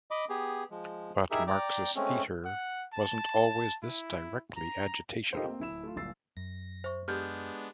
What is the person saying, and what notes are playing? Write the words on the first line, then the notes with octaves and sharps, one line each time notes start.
But Marxist theatre wasn't always this directly agitational.
D#5 B5 D6
B3 G4 G#4
F3 G#3
D#4 E4 G4 G#4 A#4 E5
D5 G5 A#5 D6
G#3 A3 C4 C#4
F#5
A5
E4
A#5
D#4 F4 G4 A4 A#4 C5
A#3 C4
D1 E4 E7
A3 F4
D1 G1 A#2 E6 A6 C7
F#2 A#6
C5 E5 C#6
G#3 B3 D4 G4 A4 F6 G6